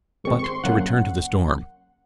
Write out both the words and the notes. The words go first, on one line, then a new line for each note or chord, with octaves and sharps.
But to return to the storm.
G#2 D#3 G#3 C4 C#6
C#6
C6
C#3 F#3 A#3 C#4 F#5